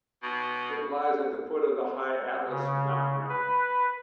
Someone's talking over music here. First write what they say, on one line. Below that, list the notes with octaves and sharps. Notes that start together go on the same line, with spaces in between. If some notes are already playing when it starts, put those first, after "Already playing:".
It lies at the foot of the High Atlas mountain range.
B2
C#3
B4